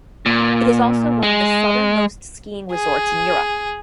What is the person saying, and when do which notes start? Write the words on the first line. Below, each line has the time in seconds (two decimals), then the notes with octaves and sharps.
It is also one of the southernmost skiing resorts in Europe.
0.26 A#2
1.23 G#3
2.73 G#4